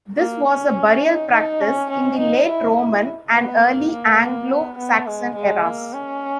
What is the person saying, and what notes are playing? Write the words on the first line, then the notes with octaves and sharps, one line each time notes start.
This was a burial practice in the late Roman and early Anglo-Saxon eras.
A#3
C#4
D#4
D#4
C#4
C#4
D#4
E4
E4
B3
A#3
A#3
B3
B3
G#3
G#3
A#3
C#4